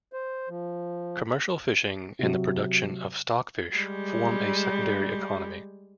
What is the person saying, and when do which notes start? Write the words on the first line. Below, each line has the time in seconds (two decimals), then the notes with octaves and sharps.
Commercial fishing and the production of stockfish form a secondary economy.
0.13 C5
0.49 F3
2.19 C3 F#3
3.75 G3 G#3